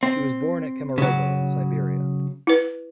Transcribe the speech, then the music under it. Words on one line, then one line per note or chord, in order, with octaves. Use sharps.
She was born at Kemerovo, in Siberia.
C4
C#3 F#3
E4 B4